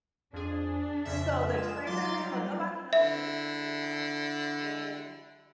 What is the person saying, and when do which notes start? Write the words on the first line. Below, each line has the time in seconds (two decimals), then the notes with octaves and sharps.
So the traitors so nobody knows who the traitors are, and
0.33 F2 D4 G#4
1.05 F2 C#3 E5
1.53 G#3 F4 E7
1.86 F#3 D#4 F4 C6 D6 A6
2.20 G3
2.93 D3 E4 E5